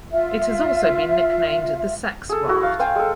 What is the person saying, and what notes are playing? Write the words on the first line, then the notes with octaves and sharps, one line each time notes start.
It has also been nicknamed the Sex Raft.
F4 E5
G#4 A4
A3 E4 F#4
F5
C5 F5 G5 G#5
G#3 A4